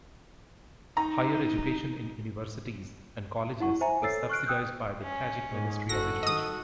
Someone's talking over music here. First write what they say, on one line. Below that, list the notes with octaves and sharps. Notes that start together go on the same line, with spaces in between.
Higher education in universities and colleges is subsidized by the Tajik Ministry of Education.
D#4 A#5
E4 F#5 C#6
C5 E5 G#5 A#5
A4 C#5 E6 A6 C7
C#6 F6 F#6 C7 D7
G5 D#6 E6 F#6 G6
C#4
G#2
F#1 F#4 A4 A#6
D#3 D#5 D#6